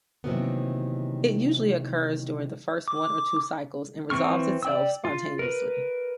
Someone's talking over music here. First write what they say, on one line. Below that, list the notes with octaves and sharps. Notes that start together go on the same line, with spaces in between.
It usually occurs during the first one or two cycles and resolves itself spontaneously.
C3 D#3 E3 F#3 A#3 B3
D6
E3 C4 C#6 F6
D5 G5 E6
F4
A#4 B4